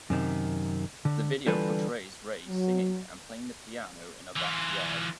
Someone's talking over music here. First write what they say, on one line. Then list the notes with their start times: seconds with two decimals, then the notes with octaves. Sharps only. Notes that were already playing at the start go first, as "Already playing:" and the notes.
The video portrays Raye singing and playing the piano in her backyard.
0.10 F#2 C3 D#3
1.05 D3
1.47 D3 E3 G3 F4 A4 B4
2.48 F#3
4.37 E3 F4